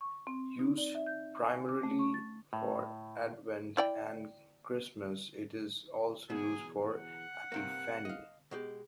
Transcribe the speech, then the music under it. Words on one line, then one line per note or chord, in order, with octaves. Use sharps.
Used primarily for Advent and Christmas, it is also used for Epiphany.
C#6
C4
D#4
D5
E5
G6
G#5
D6
A3
C#6
A6
A2
E4 D5 G5
E2 B2 G#4
F#5
G2 C3 A#3
D#5 F5
B2 G#3 G4